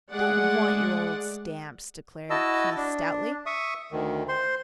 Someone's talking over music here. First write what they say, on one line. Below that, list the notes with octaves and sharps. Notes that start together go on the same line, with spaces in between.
"Don't want your old stamps," declared Keith, stoutly.
G#3 A3 G#4 D5 F#5
E4 F#4 D#5 A5 E6
D4
E5 C#6 D#6
D2 D#3
C5 C6